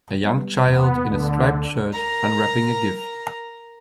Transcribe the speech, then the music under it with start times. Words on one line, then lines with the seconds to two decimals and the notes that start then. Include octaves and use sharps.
A young child in a striped shirt unwrapping a gift.
0.24 G3 B3
0.67 E2 A#2 B3
1.08 D2 D3
1.93 A#4 A#5